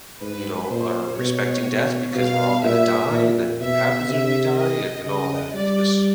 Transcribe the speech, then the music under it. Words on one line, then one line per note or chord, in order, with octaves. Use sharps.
you know, are respecting death because we're all gonna die, and then what happens when we die, and and all that, it's just
G#2 B4
A#2 C5
B2 C#5
B2
B2 F5
A#2 E5
A#2
B2 E5
C3 E5
D#5
C#3 D#5
G3 D5